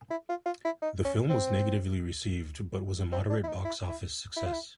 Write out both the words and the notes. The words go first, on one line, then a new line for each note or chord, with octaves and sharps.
The film was negatively received but was a moderate box office success.
E4
F4
F4
E4
D#4
C#4
C4
C4
D4
E4
D#4
E4
E4
E4
F4
E4